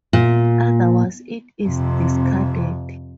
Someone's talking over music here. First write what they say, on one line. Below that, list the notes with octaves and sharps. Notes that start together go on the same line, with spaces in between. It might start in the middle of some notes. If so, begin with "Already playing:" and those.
Otherwise, it is discarded.
A#2
F2 C3